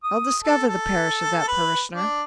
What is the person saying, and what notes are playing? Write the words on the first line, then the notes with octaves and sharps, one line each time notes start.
I'll discover the parish of that parishioner.
D#6
A4
A4
B4
D4